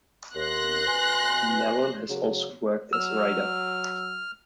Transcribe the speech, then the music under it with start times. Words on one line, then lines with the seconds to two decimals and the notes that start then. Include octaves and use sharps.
Nallon has also worked as a writer.
0.36 D#2 C6 F#6 A#6
0.85 B2 B3 G#5
2.09 C#3 F#3
2.93 F#3 E6 F6